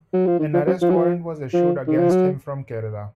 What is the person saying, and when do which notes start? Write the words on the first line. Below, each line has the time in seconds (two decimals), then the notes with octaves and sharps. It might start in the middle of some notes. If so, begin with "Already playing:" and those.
An arrest warrant was issued against him from Kerala.
0.13 F#3
0.27 F3
0.39 D#3
0.53 F3
0.67 F#3
0.81 F3
0.90 F#3
0.96 F3
1.54 F3
1.87 D#3
1.99 F3
2.11 F#3